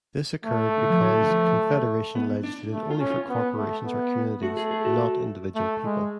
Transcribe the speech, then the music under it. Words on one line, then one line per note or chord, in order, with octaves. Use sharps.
This occurred because Confederation legislated only for corporations or communities, not individual people.
A3
D3
F3
F#3
D3
F3
B3
D4
A3
F4
C#4
F4
B3
A3
B3
A3 F#4
G#4
G#4
F#4
A3
G#3